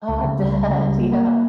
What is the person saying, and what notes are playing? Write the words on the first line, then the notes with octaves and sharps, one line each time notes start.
Oh, I bet, yeah.
C#2
C#3
G3
C#2
C#3
G3
A#3
A#3
A#3